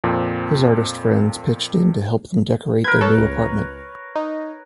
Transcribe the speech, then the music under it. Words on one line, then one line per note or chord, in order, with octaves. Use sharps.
His artist friends pitched in to help them decorate their new apartment.
F2 A#2 C4
A#4 B4 G#6
A4 C#5
C#2
D#4